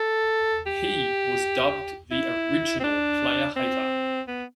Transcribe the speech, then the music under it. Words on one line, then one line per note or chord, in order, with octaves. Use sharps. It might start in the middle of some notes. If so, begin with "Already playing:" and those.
He was dubbed the Original Player Hater.
Already playing: A4
G4
E4
C4
D4
C4
B3